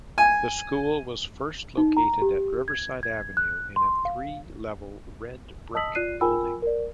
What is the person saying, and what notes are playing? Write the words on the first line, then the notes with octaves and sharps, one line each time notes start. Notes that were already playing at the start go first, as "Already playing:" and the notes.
The school was first located at Riverside Avenue in a three-level red brick building.
G#5
D#4
A#5
G4
G#6
G#6
F#6
C6
F5
D#5 A5 D#6 E6 B6 F#7
F4 D5 F#6 C7 D#7
F4 A#4 G5 G#5 B5 E6
A#4 D5